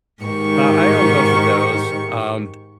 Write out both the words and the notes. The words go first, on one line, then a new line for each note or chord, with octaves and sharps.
Uh, I own both of those. Um,
G#2 D#3 G4 C#6